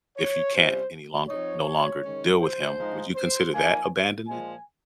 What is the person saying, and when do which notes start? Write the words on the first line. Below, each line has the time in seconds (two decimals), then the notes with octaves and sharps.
if you can't any longer no longer deal with him? Would you consider that abandonment?
0.17 C#5
0.54 C3 G3 C#4 F4 C5
1.28 F3 C4 D#4 C#5
2.04 D#3 G#3 C#4
2.41 C5
2.78 G#2 F3 G#3 D#4
3.16 C5
3.53 F3 A#3 D#4 G#5
4.27 A#2 F3 G#3 G#5